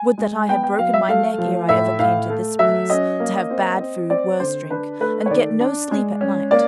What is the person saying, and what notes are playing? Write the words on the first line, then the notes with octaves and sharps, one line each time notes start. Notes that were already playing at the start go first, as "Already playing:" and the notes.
Would that I had broken my neck ere I ever came to this place, to have bad food, worse drink, and get no sleep at night!
Already playing: G#5
G#3
B3 G5
G5
F#3 F5
E5
A3 F5
F3
A2 E5
A2 F5
A3
F#3 E5
C#4 D#5
A#3
C4
C4
C4 D5
D3 C5
D4 B4
A3 B4
C#5
D#3 D5
D4
G#3
C#4
A#3 D5